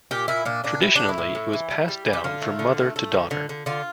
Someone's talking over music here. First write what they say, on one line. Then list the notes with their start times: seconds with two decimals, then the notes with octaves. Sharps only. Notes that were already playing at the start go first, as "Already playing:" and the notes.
Traditionally it was passed down from mother to daughter.
0.11 A#2 G4
0.28 A#2 E4
0.45 A#2 D4
0.64 A#2 D4
0.82 G3 E4
0.96 A2 D4
1.09 E4
1.18 A2
1.35 A2
1.53 E3
1.71 G3
1.88 G3
2.06 E3
2.13 G4
2.24 D3 F4
2.42 A3
2.59 D3
2.78 A3
2.96 A3
3.12 D3
3.31 D3
3.49 D3
3.66 D3 F4